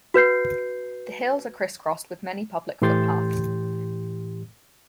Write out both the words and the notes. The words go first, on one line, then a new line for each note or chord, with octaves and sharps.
The hills are criss-crossed with many public footpaths.
F#4 B4 G6 C7
A2 E3 G4 C6 G6 A6